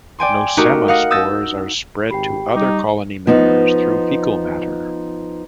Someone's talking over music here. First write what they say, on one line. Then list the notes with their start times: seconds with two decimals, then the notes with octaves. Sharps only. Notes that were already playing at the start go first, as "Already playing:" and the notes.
"Nosema" spores are spread to other colony members through fecal matter.
0.19 D5 G5 G#5 C6
0.57 A3 D#4 F#4 G4 A#4
0.88 F5 F#5 D#6 A#6
1.11 D#6 E6 G6 A6 A#6
2.10 G#1 G4 G5 B5 C7
2.56 G3 D#4 A#5 D6
3.27 F3 B3 D#4